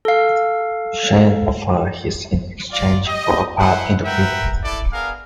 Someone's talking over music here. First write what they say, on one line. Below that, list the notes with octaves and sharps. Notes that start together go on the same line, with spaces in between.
Shane offered his in exchange for a part in the film.
A4 F5
F4 D5
G4 D#5
E4 B4 C5 F#5
A#4 B4 E5 F#5 G5
E4 A4 D5
B3 D4 G#4 A#4 F5